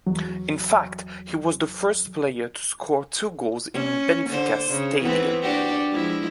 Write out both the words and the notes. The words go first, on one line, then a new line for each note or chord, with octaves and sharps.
In fact, he was the first player to score two goals in Benfica's stadium.
E2 F#3
C#4
D3 C5
C#3
E3 B3 C4
D4 F#4 G4
F3 G#3 E4